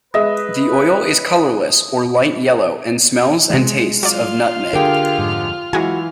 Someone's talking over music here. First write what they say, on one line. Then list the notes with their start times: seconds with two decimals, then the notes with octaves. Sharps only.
The oil is colorless or light yellow and smells and tastes of nutmeg.
0.14 G#3 B4 D#5 E5
3.50 C3 E3 G#3
4.03 F#3 F4 D5 F6
4.73 D3 G4 G#4 A#4 F5 G5
5.19 F2 G#2
5.73 E3 F#3 G#3 E4 F#4 G#5